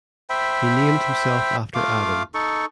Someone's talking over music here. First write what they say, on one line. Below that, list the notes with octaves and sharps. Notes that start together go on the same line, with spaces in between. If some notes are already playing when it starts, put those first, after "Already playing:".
He named himself after Adam.
C5 E5 G5 B5
A3 F4 F5 D6
D#4 A4 C#6